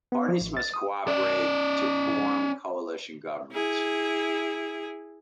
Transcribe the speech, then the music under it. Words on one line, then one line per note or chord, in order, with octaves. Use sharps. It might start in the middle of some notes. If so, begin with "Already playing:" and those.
Parties must cooperate to form coalition governments.
B3
F3
A1
A6
D#6
C#4 D5
E4 G#4